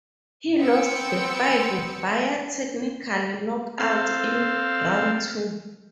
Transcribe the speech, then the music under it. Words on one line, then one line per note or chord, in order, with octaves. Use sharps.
He lost the fight via technical knockout in round two.
B3 C4 G5 E6 C#7
C4 A4 F5